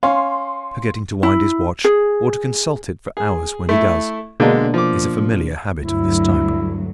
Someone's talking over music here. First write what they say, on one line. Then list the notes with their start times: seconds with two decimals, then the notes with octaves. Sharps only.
Forgetting to wind his watch or to consult it for hours when he does, is a familiar habit of this type.
0.03 C#4 F5 C6
1.23 E4
1.84 G#4
3.17 G#4
3.69 A3 E4
4.40 B2 D3 G#3 A#3 D4
4.74 F3 D6
5.80 D2 G2 F#3 E4